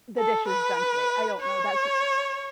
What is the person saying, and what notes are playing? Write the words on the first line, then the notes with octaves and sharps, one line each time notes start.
the dishes done today, I don't know. That's r
A4
B4
C#5